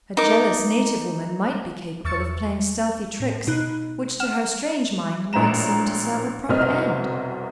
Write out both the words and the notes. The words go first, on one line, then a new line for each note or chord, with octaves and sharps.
A jealous native woman might be capable of playing stealthy tricks, which, to her strange mind, might seem to serve a proper end.
D#4 A#4 D6
E2 C#6 E6 A6 C#7
A2
B2 D#4 F#6
F#5 F6 E7
A#1 A2 C5 A#5 E7
F1 C2 B2 C4 D#5 F6